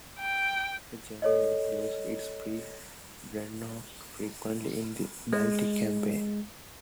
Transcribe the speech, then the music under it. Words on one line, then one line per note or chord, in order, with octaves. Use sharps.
The German navy used its pre-dreadnoughts frequently in the Baltic campaign.
G5
A4 C#5 D#5
G#3